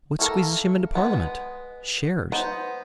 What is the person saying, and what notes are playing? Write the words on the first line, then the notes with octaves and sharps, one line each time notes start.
What squeezes him into Parliament? Shares.
A3 A#3 A4 A#4
G#3 B3
B3 D#4 C5